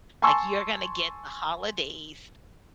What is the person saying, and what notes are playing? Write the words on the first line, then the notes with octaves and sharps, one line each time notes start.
Like, you're going to get the holidays
G#5 A5 C6 C#6 E6